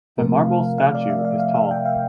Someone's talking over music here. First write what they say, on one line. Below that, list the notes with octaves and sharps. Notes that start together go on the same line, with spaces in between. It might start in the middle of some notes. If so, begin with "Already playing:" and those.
The marble statue is tall.
C3 F3 A3 A#4
F5
F5
D5
E5
F5
F5
E5
G5
F5